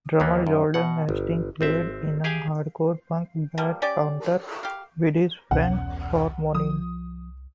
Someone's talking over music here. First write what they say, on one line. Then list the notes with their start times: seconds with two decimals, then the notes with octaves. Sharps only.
Drummer Jordan Hastings played in a hardcore punk band Cunter with friends from Moneen.
0.20 D#2 E3 A#3 B3
0.47 F#2
0.74 B2 F#5
1.09 G1
1.61 G#1 C4 E5
2.24 G4 G#4 F5 G5 G#5
3.58 F3 G3 A#3
3.82 C#4 G4 D5
4.63 G4 F5
5.51 E1 C2 B2 C#4 F#5
6.55 F3 D#6